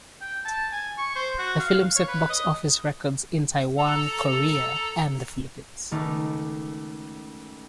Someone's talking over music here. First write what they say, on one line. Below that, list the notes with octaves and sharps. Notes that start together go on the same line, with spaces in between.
The film set box-office records in Taiwan, Korea, and the Philippines.
G5
A5
G#5
C#6
C5
F#4
F5
C#5
B4
D#5
A4 A#5
C#2 D#3 A3 D#4 D6